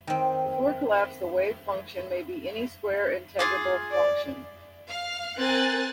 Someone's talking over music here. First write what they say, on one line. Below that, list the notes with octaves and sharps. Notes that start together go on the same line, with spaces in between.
Before collapse, the wave function may be any square-integrable function.
D#3 C4
F4 G#4 D6
D5
F5 F6
C4 A#4 G#5 F#6 A6